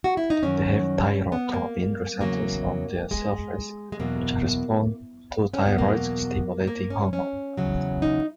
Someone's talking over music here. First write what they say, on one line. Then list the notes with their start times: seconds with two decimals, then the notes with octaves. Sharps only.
They have thyrotropin receptors on their surface, which respond to thyroid-stimulating hormone.
0.04 F#4
0.17 E4
0.30 D#4
0.43 F#2 D#3 F#3 C#4
1.32 B3
1.54 A#3
2.21 E2 C#3 F#3 A#3
3.11 G#3
3.92 G#3
3.99 E2 B2 F#3 A#3
5.54 C#4
5.66 B3
5.78 E2 B2 F#3 A#3
6.67 A#3
6.90 C#4
7.13 C#4
7.57 E2 C#3 F#3
8.02 D#4